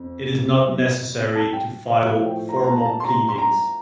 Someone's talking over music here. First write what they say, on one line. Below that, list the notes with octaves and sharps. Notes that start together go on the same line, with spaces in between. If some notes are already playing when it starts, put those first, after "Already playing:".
It is not necessary to file formal pleadings.
Already playing: F2 C4
A5
G5
D#5
A2 F3 A3 F5
G5
A#5
C6
A#5
A5
A#5
A5
C6
A#5
C6
A#5